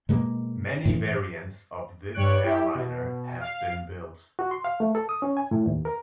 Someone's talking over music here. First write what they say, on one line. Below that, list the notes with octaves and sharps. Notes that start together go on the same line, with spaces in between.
Many variants of this airliner have been built.
B2 G#3 A#3
A2 E3
G2 G3 C#5 C#6 F#6 D7
E4 G4
B2
F5
F#4
C6
F5
A3
A4
D#6
C#4
G#5
A2
D#2
A#4